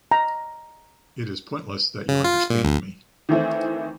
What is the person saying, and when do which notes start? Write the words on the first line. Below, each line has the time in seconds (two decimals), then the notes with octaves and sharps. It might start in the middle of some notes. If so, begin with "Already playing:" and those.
It is pointless that you understand me.
0.12 A#5
2.08 C#3
2.24 F4
2.50 A#2
2.64 D2
3.29 D#3 E3 A3 C4